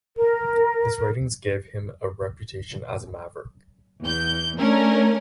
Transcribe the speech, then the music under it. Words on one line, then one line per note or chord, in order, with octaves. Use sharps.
His writings gave him a reputation as a maverick.
A#4
E2 G6
A3 C#4 D4 A#4